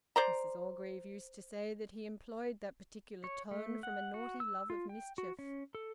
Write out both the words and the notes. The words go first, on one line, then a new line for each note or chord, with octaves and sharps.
Mrs Orgreave used to say that he employed that particular tone from a naughty love of mischief.
C5 D5 A#5
C#5
A3
F#5
F#4
E6
F4
G5
F#4
C#4
A4